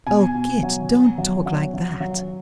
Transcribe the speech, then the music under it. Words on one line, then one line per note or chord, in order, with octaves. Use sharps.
'Oh, Kit, don't talk like that.'
B2 G#5
B2
F#3
B2
F#3
F#3
F#3
F#3